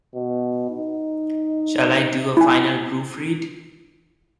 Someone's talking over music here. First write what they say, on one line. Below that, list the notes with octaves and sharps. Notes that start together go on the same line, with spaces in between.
Shall I do a final proof read?
B2
D#4
E4 G#5